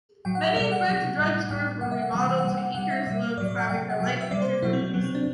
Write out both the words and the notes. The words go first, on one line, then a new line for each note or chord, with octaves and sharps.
Many Thrift Drug stores were remodeled to Eckerd's look, having their light fixtures replaced.
A2 F#3 G5
F#5
E5
B2 G3 D5
F#5
C3 F#3 F#5
A2 G3
A2 G3 G5
C3 G3 F#5
E5
F#5
C3 E3 G3 G5
F#5
G5
F#5
C3 G3 G5
F#5
C3 G3 F#5
E5
B2 G3 E5
A2 F#3 D5
D5
F#5
C3 F#3 G5
F#5
B2 F#3 G5
E5
C3 G3 D5
C5
B2 F#3 E4
C4
C4
C3 F#3 B3
C4
D4